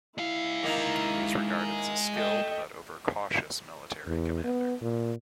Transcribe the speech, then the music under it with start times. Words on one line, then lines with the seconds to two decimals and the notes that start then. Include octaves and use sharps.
He is regarded as a skilled but overcautious military commander.
0.18 G#3 E4 F5
0.63 D#3 A#3 D#4
2.16 A3 D#5 G5
4.07 E2
4.44 B3
4.82 A#2